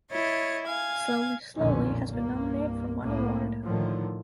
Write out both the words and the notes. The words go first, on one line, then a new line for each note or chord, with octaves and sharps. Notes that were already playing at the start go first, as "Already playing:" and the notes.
Slowly Slowly has been nominated for one award.
E4 C#5 D#5 A6
F5 G#5 G#6
B1 F2 A#2 D3 D#3 C#4
C2 G2 A#3
C2 A2 A#3
A2 D3 D#3 F3